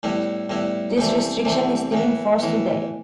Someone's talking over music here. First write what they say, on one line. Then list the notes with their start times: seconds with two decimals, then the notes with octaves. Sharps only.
This restriction is still in force today.
0.03 A2 G3 B3 E4
0.49 A2 G3 B3 E4
0.98 C2 C3 E3 A3
1.45 C2 C3 E3 A3
1.92 A2 E3 B3
2.39 A2 E3 B3